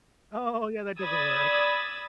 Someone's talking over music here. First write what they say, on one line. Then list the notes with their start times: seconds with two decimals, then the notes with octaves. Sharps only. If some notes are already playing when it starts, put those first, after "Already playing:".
Oh, yeah, that doesn't work.
1.01 D5 B5 D#6 E6 G#6 A6